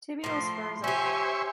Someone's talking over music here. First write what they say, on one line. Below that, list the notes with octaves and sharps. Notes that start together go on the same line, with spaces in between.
Tibial spurs are long.
A2 F3 C6
C#4 G4 C5 E5 G#5 C#6